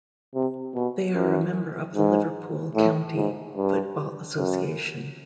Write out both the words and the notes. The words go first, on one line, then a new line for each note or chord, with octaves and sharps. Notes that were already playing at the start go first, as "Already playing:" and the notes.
They are a member of the Liverpool County Football Association.
C3
B2
F#2
G#2
A2
G#2
G2
F#2